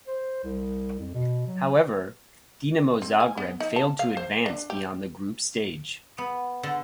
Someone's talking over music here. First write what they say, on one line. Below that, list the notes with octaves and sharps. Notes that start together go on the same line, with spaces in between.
However, Dinamo Zagreb failed to advance beyond the group stage.
C5
C2
F2
B2
F#3
C4
G#5
B3
D#4
A5
F5
C5
D4
G4
B3
D3